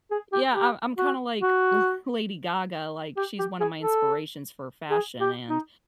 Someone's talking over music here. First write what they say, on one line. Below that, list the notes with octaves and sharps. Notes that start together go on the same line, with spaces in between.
Yeah, I'm I'm kinda like, La Lady Gaga, like, she's one of my inspirations for fashion and,
G#4
G4
G4
F#4
F#4
G4
G4
G#4
A4
G#4
G4
D#4